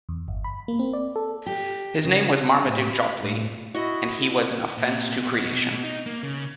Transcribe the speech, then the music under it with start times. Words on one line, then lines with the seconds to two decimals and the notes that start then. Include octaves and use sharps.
His name was Marmaduke Jopley, and he was an offence to creation.
0.09 E2
0.28 G1
0.44 B5
0.68 A#3
0.79 C4
0.93 D5
1.16 A4
1.46 G4
2.04 C#3
2.68 A2
2.91 B5
3.23 A2
3.75 E4 F#4 D#5
4.78 A#2
5.17 B2
5.83 D#4
6.06 A#3
6.23 C#3